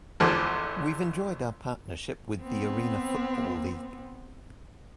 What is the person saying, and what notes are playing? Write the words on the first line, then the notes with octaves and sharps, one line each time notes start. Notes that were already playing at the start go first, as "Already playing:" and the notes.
We've enjoyed our partnership with the Arena Football League.
G#1 E2 D3 F3
B3 C4